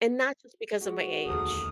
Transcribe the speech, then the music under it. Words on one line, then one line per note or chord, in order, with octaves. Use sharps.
and not just because of my age.
G#3 F#4
D1 E2 D#3 A3 G#4 A#4 D#6